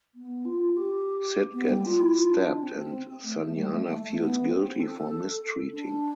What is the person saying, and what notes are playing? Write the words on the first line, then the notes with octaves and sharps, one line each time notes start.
Sid gets stabbed and Sanjana feels guilty for mistreating.
B3
F4
G4
B3
G3
F4
E4
F4
D4
D4
C4
A3
A3
G3
A3
A3
A3
B3
C4
A4
D4